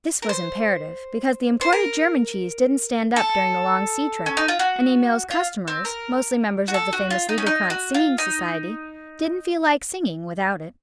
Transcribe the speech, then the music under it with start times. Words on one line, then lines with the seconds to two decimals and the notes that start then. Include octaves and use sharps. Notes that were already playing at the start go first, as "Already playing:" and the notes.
This was imperative because the imported German cheese didn't stand up during the long sea trip and Emil's customers, mostly members of the famous Liederkranz singing society, didn't feel like singing without it.
0.22 A#4
0.29 C5
1.61 C5
1.72 A#4
3.16 A4
4.26 C#4
4.37 D#4
4.48 F4
4.59 F#4
5.31 F4
5.68 C4
5.85 A#4
6.68 F#4
6.74 A4
6.93 F#4
7.10 F4
7.29 D#4
7.38 C#4
7.46 D#4
7.70 F#4
7.94 F4
8.18 D#4